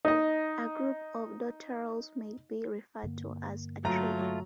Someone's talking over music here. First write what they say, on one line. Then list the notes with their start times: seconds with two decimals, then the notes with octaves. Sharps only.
A group of dotterels may be referred to as a "trip".
0.05 D#4 D#5
3.03 G2 D3 A#3
3.85 F#3 A3 F4 A#5